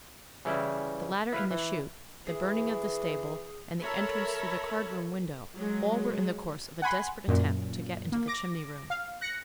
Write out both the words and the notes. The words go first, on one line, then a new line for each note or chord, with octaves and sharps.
The ladder in the chute, the burning of the stable and the entrance through the card-room window--all were in the course of a desperate attempt to get into the chimney-room.
C#3 E3 G3 E4
E4 B4 F5
E3
E3 G#4
A4 A#4 C#5 E5 A5 B5
F#3 G#3
F#5 G#5 B5 C6
F#2 A#2
A#3
D6 A#6
F5
F#6 A#6 C#7